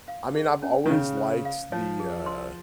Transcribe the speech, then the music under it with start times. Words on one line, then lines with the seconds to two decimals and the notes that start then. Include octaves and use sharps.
I mean, I've always liked the, uh
0.08 F5
0.36 G#4
0.63 C#4
0.86 D#3
0.90 C#3 C#4
1.17 C5
1.45 F5
1.72 F3 C#5
2.00 G#4
2.26 C6